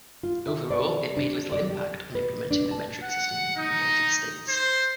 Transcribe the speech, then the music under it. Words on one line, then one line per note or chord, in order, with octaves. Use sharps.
Overall, it made little impact on implementing the metric system in the United States.
F4
E5
D5
D4
D5
G4
B4
D4
A5
F#5
D#4
C5